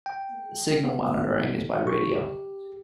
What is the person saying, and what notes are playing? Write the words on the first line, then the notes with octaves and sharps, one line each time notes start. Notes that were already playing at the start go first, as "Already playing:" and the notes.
Signal monitoring is by radio.
G5
B3
C#6
G4